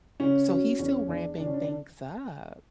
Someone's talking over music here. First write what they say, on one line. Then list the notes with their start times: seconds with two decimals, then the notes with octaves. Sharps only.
So, he's still ramping things up.
0.20 C#3 C#4
0.49 F#3 C#4
0.79 E2 C#4
1.08 E2 D4
1.38 C#3 D4
1.46 C#4
1.54 D4
1.64 D4